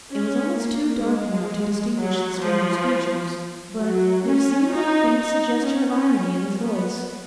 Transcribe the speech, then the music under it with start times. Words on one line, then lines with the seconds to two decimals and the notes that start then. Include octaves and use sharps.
It was almost too dark now to distinguish the stranger's features but there seemed a faint suggestion of irony in his voice.
0.11 C#4
0.57 A#3
1.03 G#3
1.96 F#3
2.42 F3
3.81 F#3
4.27 C#4
4.73 D#4
5.19 D#4
5.65 C#4
6.58 B3